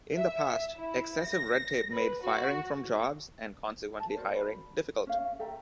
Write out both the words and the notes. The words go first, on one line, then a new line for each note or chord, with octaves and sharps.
In the past, excessive red tape made firing from jobs, and consequently hiring, difficult.
E5
E4
A#6
B4
F#4
A5
F#4 A#4 C5 D5
B5
C#4 F5
A4 E5 G5 A#5